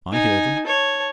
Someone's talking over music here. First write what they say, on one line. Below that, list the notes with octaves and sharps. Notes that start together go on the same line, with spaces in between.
I hear them.
D#4 G#5
C#5 A5